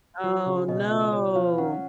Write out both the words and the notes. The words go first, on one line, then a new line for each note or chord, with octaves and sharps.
Oh, no.
F3 F#4
C#3
B2 D#5
F4
F4 C#5
F3 F5
C#4 F#5